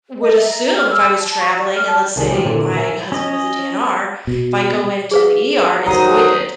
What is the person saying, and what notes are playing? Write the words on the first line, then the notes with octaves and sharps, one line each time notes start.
would assume if I was traveling and let's say my husband was a DNR, if I go into the ER it's voided
D#5
E5
A#5
F6
E6
A5
C#6
D5
F6
A5
C2 D#3 G#4
F3 G3 G#3 D4 G4
A#2 D3 E3
A#4 E5 G#5
C#4 D#5
B2
G#4 B4 F5
D#3 F#3 C5 A#5 D#6